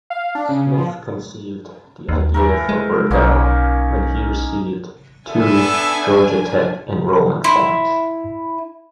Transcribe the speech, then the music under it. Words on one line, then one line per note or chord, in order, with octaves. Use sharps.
Smith conceived the idea for Burdell when he received two Georgia Tech enrollment forms.
F5
D4
C#3
F3
D#2
E3 A3 A#4
G#3
B1 A#3 C#4 D#4
B3 D4 A4 E5 G#5
E4 C6